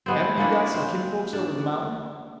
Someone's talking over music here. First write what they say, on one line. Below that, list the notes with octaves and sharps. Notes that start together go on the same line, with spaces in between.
"Haven't you got some kinfolks over the mountain?"
G#3 B3 C4
A#3 C#4 D4 E4
C4
D4